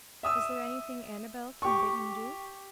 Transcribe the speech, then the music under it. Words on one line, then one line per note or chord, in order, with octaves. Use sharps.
"Is there anything Annabel can bid him do?"
E5 D#6 E6
G4 C#6